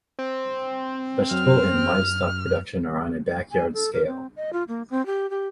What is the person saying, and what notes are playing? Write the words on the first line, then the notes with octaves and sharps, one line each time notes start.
Vegetable and livestock production are on a backyard scale.
C4
F#2 F6
G#5
A4
A#4
C4
D#5
F4
A#3
C4
G4
G4